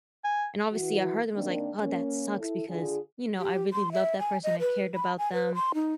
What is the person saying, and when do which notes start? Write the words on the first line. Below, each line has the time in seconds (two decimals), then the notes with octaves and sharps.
And obviously, I heard them, I was like, "Oh, that sucks," because, you know, I really loved that person, I cared about them,
0.24 G#5
0.72 E3 F#4
1.35 D#3 A#3 C4 D4
1.80 A#3 C#4
2.39 E4 A4
2.68 D3 F4 G#4
3.38 G4
3.73 C6
3.92 E5
4.19 G#5
4.44 D#5
4.60 B4
4.95 B5
5.18 G#5
5.33 B4
5.55 C6
5.74 D#4